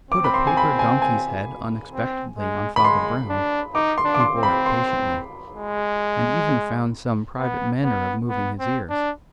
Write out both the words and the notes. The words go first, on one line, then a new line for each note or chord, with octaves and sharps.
He put a paper donkey's head unexpectedly on Father Brown, who bore it patiently, and even found some private manner of moving his ears.
C4 D6
B5
C6
G#5
B5
G#5
G#5
C4
G#3
B5
G#3 C6
D4
D#4 D6
C6
D4
D6
C6
C4
B5
C6
G#3
B3
B3
B3
C4
D4